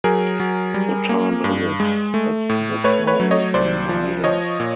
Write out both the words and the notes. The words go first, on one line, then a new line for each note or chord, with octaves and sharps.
What time is it at this moment in Manila?
F#3 G#4 A#4
F#3
G3
A#3
G2
G#3
A3
A2
A3 B4 C#5
B4 C#5
F#3
C#5 D#5
C2 C5 D5
F3
F3 C#5 D#5
A#2